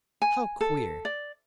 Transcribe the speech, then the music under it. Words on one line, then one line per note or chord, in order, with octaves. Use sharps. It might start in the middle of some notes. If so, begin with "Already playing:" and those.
How queer!
G#5
A4
D5